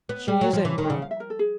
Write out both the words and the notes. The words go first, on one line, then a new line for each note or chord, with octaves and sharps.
"She is emperor."
B3
G3
F#3
F3
E3
D#3
G5
C#3 F#5
F5
E5
A#4
A4
G#4